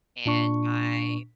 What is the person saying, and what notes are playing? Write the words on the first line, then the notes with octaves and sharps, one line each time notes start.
And I
A#2 D4 C#6